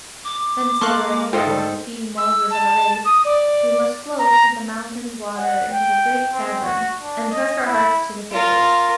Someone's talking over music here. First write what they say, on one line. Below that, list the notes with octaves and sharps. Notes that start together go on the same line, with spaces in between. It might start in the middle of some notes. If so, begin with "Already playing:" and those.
Then, say they, being Mulgars-of-a-race, we must float with the mountain-water into the great cavern, and trust our hearts to the fishes.
D6
A#3 A4 F5 C6 C#6 F#6
G#2 F4 A4 C5 D#5 E5 G5
D3 G3 A3
E6
A5
D#6
D5
A#5
F#5
G5
C4
F#4
D4
D#5
E4
F4 A#4